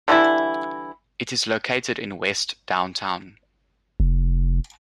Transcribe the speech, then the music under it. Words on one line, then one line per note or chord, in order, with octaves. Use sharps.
It is located in west downtown.
D3 E3 G3 E4
F1